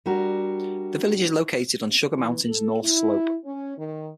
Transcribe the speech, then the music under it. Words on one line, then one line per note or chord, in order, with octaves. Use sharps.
The village is located on Sugar Mountain's north slope.
G3 D4 F#4 A#4
E3
A4
E4
C#4
D#3